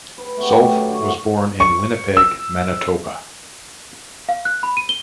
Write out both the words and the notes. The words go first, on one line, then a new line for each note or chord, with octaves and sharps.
Zolf was born in Winnipeg, Manitoba.
B4
A3 B3 G4
F#2 C#3
A#4 D5 A#5
D3 C#6
A2 A3 F#4 C#5
C#6
E6
F5
F#6
B5
D#7
G7